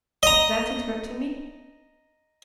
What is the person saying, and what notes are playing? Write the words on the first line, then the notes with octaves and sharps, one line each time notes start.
"Without interrupting me?"
D#5 A#5